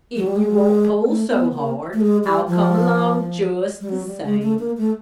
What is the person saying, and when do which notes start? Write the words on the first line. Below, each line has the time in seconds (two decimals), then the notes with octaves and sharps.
If you won't pull so hard I'll come along just the same.
0.16 F#3
0.27 G3
0.36 G#3
1.07 A3
1.31 B3
1.54 A#3
1.93 A3
2.01 G#3
2.24 G3
2.48 F3
3.81 G3
3.89 F#3
4.06 G3
4.24 G#3
4.42 A3
4.59 A#3
4.77 A3